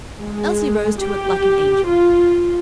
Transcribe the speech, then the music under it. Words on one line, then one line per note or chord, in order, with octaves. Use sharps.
Elsie rose to it like an angel.
G#3
G4
F4